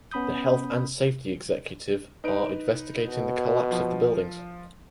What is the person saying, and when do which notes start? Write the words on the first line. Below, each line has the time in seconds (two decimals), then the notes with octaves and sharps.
The Health and Safety Executive are investigating the collapse of the buildings.
0.11 B3 C#4 B5 D#6 G6
2.24 D#4 B4 D7
3.07 B2
3.71 F3 F4